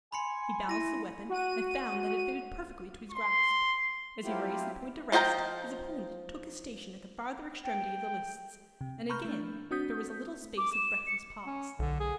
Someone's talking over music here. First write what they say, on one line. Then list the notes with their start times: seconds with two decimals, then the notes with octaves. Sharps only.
He balanced the weapon, and found that it fitted perfectly to his grasp. As he raised the point to rest, his opponent took his station at the farther extremity of the lists, and again there was a little space of breathless pause.
0.12 G#5 B5 C6 C#7
0.69 E4 A#6 D#7
1.29 F#4 F#5 D#7
3.12 C6
4.24 F#3 C4 E4 F4 G4
5.12 F3 F4 D#5 G5 A#5
7.64 G5
8.81 C3
9.10 A#5 B5 C#6 F6 G6
9.25 A3 D4
9.71 C4 D4 F#4 D#6 G6 B6
10.58 D6
10.73 E7
11.07 C#7
11.46 C#4
11.79 B1 D3
12.00 G#4